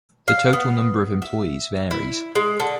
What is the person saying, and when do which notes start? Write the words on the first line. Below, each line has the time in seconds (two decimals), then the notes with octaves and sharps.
The total number of employees varies.
0.28 F5
0.53 B3
1.22 E5
1.91 E4
2.35 G#3
2.60 D3